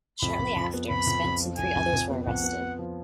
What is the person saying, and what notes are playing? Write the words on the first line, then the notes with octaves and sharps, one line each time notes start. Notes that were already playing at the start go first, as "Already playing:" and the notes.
Shortly after, Spence and three others were arrested.
F2 B5
F2
F2
B3
F2 B5
F2
F2
F3
F2 G#5
F2
F2
B3
F2 F#5
B3
B3
F3